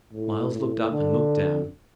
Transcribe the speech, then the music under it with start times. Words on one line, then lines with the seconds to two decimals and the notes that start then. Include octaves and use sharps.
Myles looked up and looked down.
0.13 A2
0.52 A2
0.91 D3